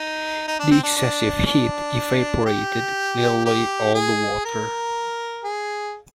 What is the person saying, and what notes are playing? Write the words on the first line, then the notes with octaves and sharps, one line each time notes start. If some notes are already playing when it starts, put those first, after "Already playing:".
The excessive heat evaporated nearly all the water.
Already playing: D#4
D#4
D4
C4
D4
D4
D4
G4
G4
G#4
A#4
G#4